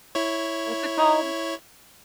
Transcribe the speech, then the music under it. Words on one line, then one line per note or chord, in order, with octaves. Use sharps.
What's it called?
E4 C#5